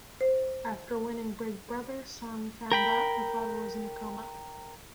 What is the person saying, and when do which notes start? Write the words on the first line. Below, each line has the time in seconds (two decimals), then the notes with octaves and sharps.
After winning Big Brother, Song found out her father was in a coma.
0.21 C5
2.72 A#4 G5 B5